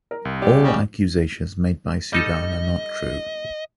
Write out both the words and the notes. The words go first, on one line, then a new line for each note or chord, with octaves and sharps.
All accusations made by Sudan are not true.
A#4
C2
G4 D5
C#3 G3
G3 D#4 A4 D#5